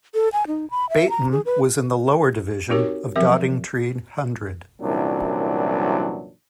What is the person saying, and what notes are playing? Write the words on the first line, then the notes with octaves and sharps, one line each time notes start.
Bayton was in the lower division of Doddingtree Hundred.
A4
G#5
D#4
B5
E5
A#5
G#4
B4
C4 D#4 F#4 G4 A#4 C#5
F3 F#3 C4 G4 A#4 E5
C2 F#2 A#2 E3 F#3 D4